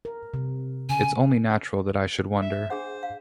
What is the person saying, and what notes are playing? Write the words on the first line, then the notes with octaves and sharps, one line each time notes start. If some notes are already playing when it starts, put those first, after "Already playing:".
It's only natural that I should wonder.
A#4
C3
C#3 G#5
E5
D4 G#4 C5 F#5
F5